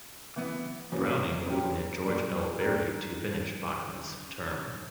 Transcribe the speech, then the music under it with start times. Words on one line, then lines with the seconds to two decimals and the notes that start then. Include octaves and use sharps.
Browning appointed George L. Berry to finish Bachman's term.
0.36 E3 B3 E4
0.92 E2 C#3 F#3 A#3 C#4
1.47 A#2 F#3 C#4 G4 A#4
2.04 A#2 G3 A#3 D4
2.59 A#2 A#3 D4 G4 A#4